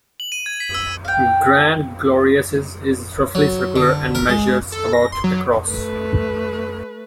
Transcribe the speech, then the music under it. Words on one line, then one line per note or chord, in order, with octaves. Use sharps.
Grande Glorieuses is roughly circular and measures about across.
F#7
D#7
G#6
B6
E6
F5 G5
F#3
D3
A#4
G#3
A4
A#6
C6
F#3
A3 B4